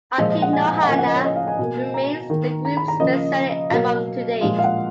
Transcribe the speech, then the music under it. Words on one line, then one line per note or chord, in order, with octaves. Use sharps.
"Aku no Hana" remains the group's best-selling album to date.
A#2 F3 G#3 D#5
D#5
F#5
G#5
G#5
A#5
F#5
C#3 F3 A#3 G#5
F#5
D#5
C#5
D#5
F5
G#5
B2 A#3
A#5
D#3 A#3
A#5
B5
A#5
C#3 F3 A#3 D#5
B2 F#3 A#3 F5
A#2 F3 G#3 F5
F5
F#5